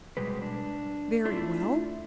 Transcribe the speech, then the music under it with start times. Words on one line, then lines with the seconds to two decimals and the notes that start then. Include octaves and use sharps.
Very well.
0.17 B2 G3 G#3 B4
0.42 D4
1.25 A3 D4 E4 F4